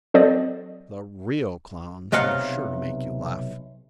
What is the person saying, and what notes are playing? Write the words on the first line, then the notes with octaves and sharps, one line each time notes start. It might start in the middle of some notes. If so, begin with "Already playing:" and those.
The real Clowns are sure to make you laugh.
F#3 C4 A4 C5 D5 D#5
B1 C3 D#5 F5 F#5